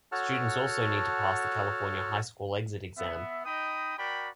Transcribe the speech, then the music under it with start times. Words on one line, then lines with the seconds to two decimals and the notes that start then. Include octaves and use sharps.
Students also need to pass the California High School Exit Exam.
0.12 F#4 A4 C#5 F#5 A5 F6
2.98 B3 E5
3.45 D#4 D#5 G5 B5 D#6
3.98 F#4 A#4 D5 G5 B5